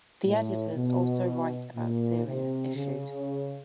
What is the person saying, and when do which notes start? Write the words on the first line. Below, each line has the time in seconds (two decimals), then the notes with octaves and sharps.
The editors also write about serious issues.
0.25 A2
0.75 B2
1.76 A#2
2.26 C3
2.75 C#3